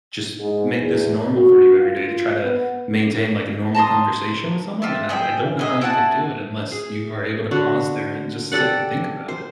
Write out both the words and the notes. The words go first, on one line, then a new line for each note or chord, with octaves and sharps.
just make this normal for you every day, to try to maintain, like, a normal conversation with someone, and I d I don't know how you could do it unless you are able to pause there and just sit and think about it.
G#2
E2
F#4
F4
B3
A5 A#5 C6 D#6
F4 G4 E5
G#4 D#5 E5 G5
G#4 D#5 E5
E4 F#4 F#5 A5
G#4
D3 F#4
G4 A4 D5 F#5
C5